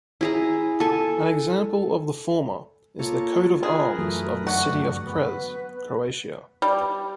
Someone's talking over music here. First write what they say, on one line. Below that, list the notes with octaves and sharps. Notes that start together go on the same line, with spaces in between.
An example of the former is the coat-of-arms of the city of Cres, Croatia.
E4 G#4 A#5
A4 G#5
A#3 F4 A4 C#5
G#4 A#4 B4
F#2 E3 F#3 A3
G2 D3 F#4
B3 B4
G3